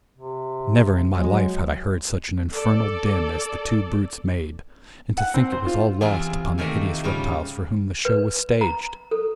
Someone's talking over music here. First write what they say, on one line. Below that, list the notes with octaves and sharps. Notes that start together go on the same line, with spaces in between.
Never in my life had I heard such an infernal din as the two brutes made, and to think it was all lost upon the hideous reptiles for whom the show was staged!
C3
F#3 G#3
A4 D5
F#5
C4
C5
F4
E2 C3 C4 F4 G#4 C6
C3 D#3 A3 A#3 C4
G#2 C#3 G3 F4
B4
A#5
A4